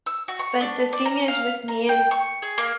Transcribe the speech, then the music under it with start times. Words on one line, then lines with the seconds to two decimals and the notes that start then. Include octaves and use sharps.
But the thing is with me is
0.06 E6
0.28 F#4
0.39 C#6
0.61 D4
0.93 D5
1.05 A#5
1.28 F5
1.68 A#5
1.89 G5
2.11 C#6
2.42 G#4
2.58 A#3